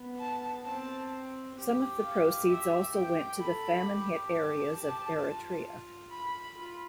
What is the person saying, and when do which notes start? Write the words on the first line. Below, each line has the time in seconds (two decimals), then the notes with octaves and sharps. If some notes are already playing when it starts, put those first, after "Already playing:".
Some of the proceeds also went to the famine hit areas of Eritrea.
Already playing: B3
0.19 A5
0.65 C4 A5
1.56 G4
2.02 F5
2.47 E5
2.92 G4 G5
3.38 A4 B5
3.83 G4
4.29 A5
4.74 G4
5.20 F4
6.11 B5
6.56 F4